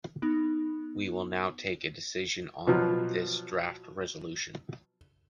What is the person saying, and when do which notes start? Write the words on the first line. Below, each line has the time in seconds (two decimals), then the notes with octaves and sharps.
We will now take a decision on this draft resolution.
0.22 B3 D#4
2.67 B2 F3 F#3